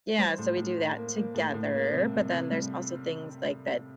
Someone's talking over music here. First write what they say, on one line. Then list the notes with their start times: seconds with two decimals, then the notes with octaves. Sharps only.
yeah, so we do that together, but then there's also things, like, that
0.18 G3 C5
0.38 A2
0.57 A2
0.78 A2
0.97 A#3
1.16 A#3
1.35 A2
1.54 A2
1.74 A#3
1.93 C3
2.13 C3
2.33 C3
2.51 G3